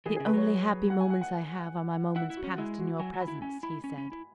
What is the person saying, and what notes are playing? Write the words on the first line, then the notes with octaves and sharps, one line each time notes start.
"The only happy moments I have are my moments passed in your presence," he said.
E3 G#4
C#3 G#4
B4
F#3 C#5
F#5
G#5
F#5
F#5
E4 F#5
E4
F#4
C#4
G#3 E4
F#4
F#3 G#5
F#3
B5
E4
C#4 G#5
E4 B5
C#4
C#4
E4